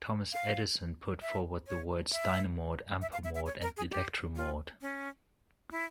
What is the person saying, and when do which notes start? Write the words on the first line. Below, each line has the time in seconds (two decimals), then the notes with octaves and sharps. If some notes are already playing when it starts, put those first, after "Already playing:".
Thomas Edison put forward the words "dynamort", "ampermort" and "electromort".
0.33 F5
1.22 E5
1.67 C#5
2.12 E5
3.02 E5
3.13 F5
3.24 E5
3.35 E5
3.46 C#5
3.62 A#4
3.77 G#4
3.91 G4
4.36 F4
4.81 C#4
5.71 E4